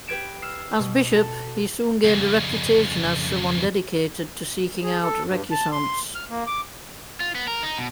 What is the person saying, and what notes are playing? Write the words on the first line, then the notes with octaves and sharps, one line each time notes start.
As bishop, he soon gained a reputation as someone dedicated to seeking out recusants.
G4 B4 G#6 D7 E7
E6 F6 C7
B2
A4
F2 C#3
G#4
A4
G2
A5
C6
F6
A#3
D6
F4
B3
A#4
D#4
B2